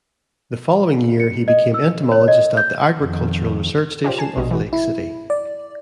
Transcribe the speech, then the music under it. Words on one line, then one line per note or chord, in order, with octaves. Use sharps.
The following year, he became entomologist at the Agricultural Research station of Lake City.
C#7
D#5
E6
C#5
D#5
G6
F2 D#3
C#4 D4 F4 G4 C5 D5
G#5 A5 C7 E7
A#1 B2 G3 D#5
E3 F#4
E4
D5